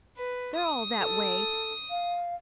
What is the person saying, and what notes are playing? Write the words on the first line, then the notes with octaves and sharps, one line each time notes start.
They're all that way.
B4
D#6
A4
F5